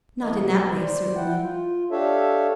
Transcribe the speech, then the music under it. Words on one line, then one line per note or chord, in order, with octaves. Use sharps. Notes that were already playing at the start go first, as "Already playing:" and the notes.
"Not in that way, certainly."
E3 D#5
B2
C5 D5
E4 F#5 G5
F4
D4 G4 A4 C#5 E5 F5